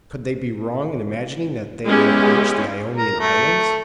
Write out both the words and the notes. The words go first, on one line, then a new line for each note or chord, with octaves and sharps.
Could they be wrong in imagining that they had reached the Ionian Islands?
G#3 B3 C#4 E4 G4
A#4
A3